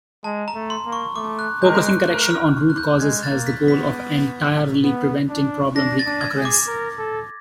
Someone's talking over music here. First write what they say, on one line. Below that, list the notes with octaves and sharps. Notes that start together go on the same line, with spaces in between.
Focusing correction on root causes has the goal of entirely preventing problem recurrence.
G#3 A5
A#5
A3
C6
A#3
C#6
A3 D6
F#6
G#3 G6
F#6
A3 F#6
F6
F#6
G6
G#3 G#6
A6
A#3
B6
B3
B6
B3
D4
D4 A#6
A6
D4
G#6
G#4
D6
A#4
A4